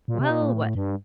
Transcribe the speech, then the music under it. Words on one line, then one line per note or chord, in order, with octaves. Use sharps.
"Well, what?"
A#2
C3
A#2
A2
A#2
A2
G2